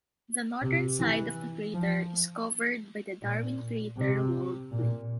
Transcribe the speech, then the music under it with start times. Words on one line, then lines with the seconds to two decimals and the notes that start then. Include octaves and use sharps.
The northern side of the crater is covered by the Darwin Crater walled plain.
0.62 C3
0.99 E3
1.74 F3
3.22 A#2
3.96 C3
4.71 A#2